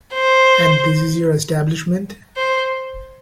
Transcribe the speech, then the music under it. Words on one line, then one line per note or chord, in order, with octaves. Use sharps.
And this is your establishment?
C5
C5